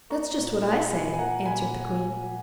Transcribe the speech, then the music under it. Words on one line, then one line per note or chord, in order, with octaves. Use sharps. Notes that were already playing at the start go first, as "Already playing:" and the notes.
"That's just what I say," answered the queen.
A#3 A#5 C#6
A#2
A#3
A#2 G#5 B5
G#5
A#3 F#5 A#5
A#2 G#5 B5